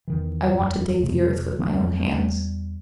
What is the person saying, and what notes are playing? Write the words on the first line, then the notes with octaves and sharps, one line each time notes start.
I want to dig the earth with my own hands.
E2 D#3 E3
E1 F#2 G3
F2 C3 A3
D#3 F3
F2 C#4
E2 G3